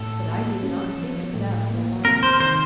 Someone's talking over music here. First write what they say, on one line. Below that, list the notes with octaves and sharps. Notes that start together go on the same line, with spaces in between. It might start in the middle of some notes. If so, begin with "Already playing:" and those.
But I did not think of that for a while.
Already playing: A2 A4
A#3
C#4
F3
A2
A#3
C3 A#4
C5
D#3 C5